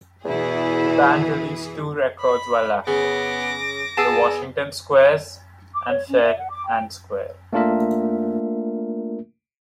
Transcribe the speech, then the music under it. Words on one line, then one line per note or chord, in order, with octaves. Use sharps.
The band released two records while active; "The Washington Squares" and "Fair and Square".
E2 B2 E3 E4 G#4
B5
C#3 B3 D6 A#6
B3 G#4 A5 E6
D6
C#5
C#4
E5
F#5
D6
G5
A3 A#3 D4 F4 A#4 E5